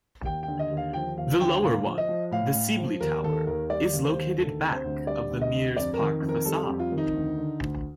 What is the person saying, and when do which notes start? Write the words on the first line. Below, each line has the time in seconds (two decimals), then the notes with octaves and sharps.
The lower one, the Sibley Tower, is located back of the Mears Park facade.
0.24 D#2 G5
0.43 G5
0.48 D3
0.59 D#5
0.71 D#2
0.77 F5
0.93 F3 G5
1.17 D#2 F5
1.40 D3 G5
1.62 A2 F5
1.86 F3
1.98 D#5
2.08 F3
2.31 A2 F5
2.54 A2
2.78 F3
3.01 D#2 A#4
3.24 D#3 A4
3.47 D#2 A#4
3.70 G3 D5
3.93 D#2
4.04 C5
4.15 D#3
4.38 D2 A4
4.62 C3
4.72 C5
4.84 D2
5.07 G3 D5
5.30 D2
5.41 D#5
5.53 C3
5.76 F2 D5
5.94 A#4
5.99 D#3
6.22 F2
6.29 A#4
6.45 G3 A4
6.63 G4
6.69 F2
6.80 F4
6.92 D#3
6.98 D#4
7.14 D2
7.38 D3
7.60 D2